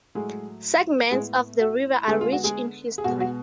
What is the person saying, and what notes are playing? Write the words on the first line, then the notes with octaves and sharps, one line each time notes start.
Segments of the river are rich in history.
A2 F#3 G#3 A3 G#4
A2 G#3 B3 G#4
F#4
D3 G#3 B3 G#4
F4
F#4
G#3 G#4
G#4
B2 G#3 B3 F#4
F#4